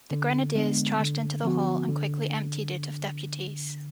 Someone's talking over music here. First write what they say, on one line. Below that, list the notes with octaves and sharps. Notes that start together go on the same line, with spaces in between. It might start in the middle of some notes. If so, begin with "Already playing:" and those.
The grenadiers charged into the hall and quickly emptied it of deputies.
D3
G#3 B3 D4
D3
F3 B3 F#4
D3